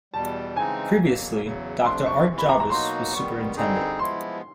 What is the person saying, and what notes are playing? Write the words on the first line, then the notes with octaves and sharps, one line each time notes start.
Previously, Doctor Art Jarvis was superintendent.
E2 B2 G3 A5
C#3 E3 G#3 C4 D#4 G#5
E2 B2 F#3 A#3
E2 C#3 F#3
F2 C3 F3 A3 D4 C6
C#6
E2 C3 E3
B5
A#5
A#5
B2 F#3 A#3 D#4 F#4 C6
D#3 G3 B3 C#6
D3 G3 C4 D#4 G#4
F3 G#3 B3 E4 C6